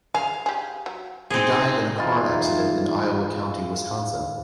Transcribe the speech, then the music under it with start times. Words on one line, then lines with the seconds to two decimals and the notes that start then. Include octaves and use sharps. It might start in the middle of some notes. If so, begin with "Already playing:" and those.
He died in a car accident in Iowa County, Wisconsin.
0.14 G#4 F5
0.46 G4 G#4
0.86 F#3
1.30 C4 D#4 G#4
1.98 G#2 E3 F4